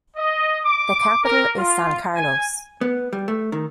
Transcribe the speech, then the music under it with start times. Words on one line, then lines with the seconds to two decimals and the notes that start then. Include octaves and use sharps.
The capital is San Carlos.
0.16 D#5
0.64 D6
1.23 A#4
1.57 F4
2.14 G#5
2.81 B3
3.13 G3
3.28 A3
3.52 D#3